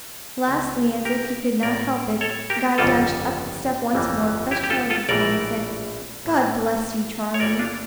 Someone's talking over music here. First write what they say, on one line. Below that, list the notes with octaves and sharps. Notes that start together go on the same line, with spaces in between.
Lastly, as if he could not help it, Guy dashed up the step once more, pressed Charles's hand, and said, 'God bless you, Charlie!'
C#2 C#3 E3 A3
G4 A#4
A1 A2 G3 A#4 D5
A4 C#5
G4 A#4
G1 F2 C#3 G3 A#3 F4 A4
G1 F2 E3 G3 A#3
E4 G4
G4
F4 A4
F4 A4
A#1 A2 E3 G3 A#4 D5
A1 A2 E3 A#3
C#5
G1 G2 E3 G3 A#3 A#4 D5
D4 F4